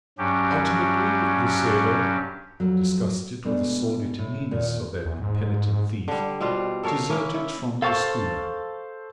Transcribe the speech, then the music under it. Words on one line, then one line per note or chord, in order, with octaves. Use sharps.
Ultimately the sailor, disgusted with the sordid meanness of that impenitent thief, deserted from the schooner.
G2 F#3 C#4 G4
F2 F#3
B2 G#3 A3 D4
A2
D#2 A#2
E2
G#2
D3 G3
B2 G3 C4 F4
A4 A#4 C#5 F5
A#3 C#4 E4
E4
A4 C5 F5 A5 C#6